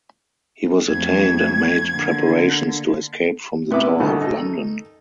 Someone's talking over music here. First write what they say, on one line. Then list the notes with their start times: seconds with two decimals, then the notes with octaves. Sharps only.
He was attainted and made preparations to escape from the Tower of London.
0.89 F2 A3 G#6
1.89 D3 A#3
3.71 C3 B3 E4 D6
4.00 C2 D3 D#3
4.21 D#4 A4